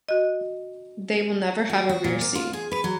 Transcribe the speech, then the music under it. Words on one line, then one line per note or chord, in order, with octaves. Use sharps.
They will never have a rear seat.
F#4 D#5
F#4
F#4
A#2
A#3
F4
G#4
B4
F#3